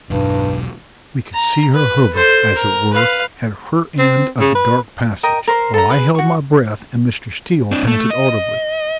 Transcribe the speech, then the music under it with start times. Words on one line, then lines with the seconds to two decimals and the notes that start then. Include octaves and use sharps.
We could see her hover, as it were, at her end of the dark passage, while I held my breath and Mr. Steele panted audibly.
0.10 E1 B1 G2
1.33 A#5
1.74 B4
2.13 A4 C5
2.55 A#4
2.93 B4 F5
3.99 C4
4.40 C#3
4.55 B4
5.23 A#4 D#5 G5
5.47 A#4 C5 C6
5.74 A4 A#5
5.90 G#4 B4
6.15 F#4 C#6
7.72 C4 D4
7.87 A3
8.10 D#5